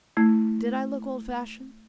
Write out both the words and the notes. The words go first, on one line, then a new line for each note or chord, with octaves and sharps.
Did I look old fashioned?
A3 E4 G#6